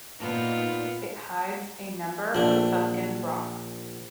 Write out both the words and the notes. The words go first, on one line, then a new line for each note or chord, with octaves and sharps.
It hides a number of sunken rocks.
A#2 B3 D#4 F4
A#1 D4